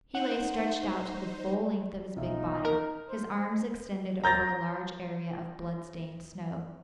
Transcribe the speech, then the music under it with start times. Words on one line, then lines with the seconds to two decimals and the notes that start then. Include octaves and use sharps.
He lay stretched out to the full length of his big body, his arms extended over a large area of blood-stained snow.
0.15 D#4 C5 F#5
2.16 B1 D#4 F4 E5
2.65 A#4 F6
3.09 C5
4.24 A#5 G6 A6 A#6